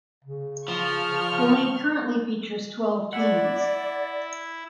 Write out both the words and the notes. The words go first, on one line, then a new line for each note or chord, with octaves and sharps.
The league currently features twelve teams.
C#3
F3 C#6 F6
E4 D5 F#5